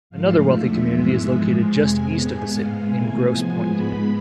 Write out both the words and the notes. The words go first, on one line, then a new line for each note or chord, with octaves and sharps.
Another wealthy community is located just east of the city, in Grosse Pointe.
G#2 F3 A3 F5
E2 D3 F3 A3 E5
G#2 E3 G#3 B3
G#2 F3 G#3
F2 C3 G#3 G#5
A2 G#3 B3 G#5
G#2 G#3 B3 F5
C3 E3 A3 G#5
A2 F3 G#3 B3
G#2 G#3 B3 B5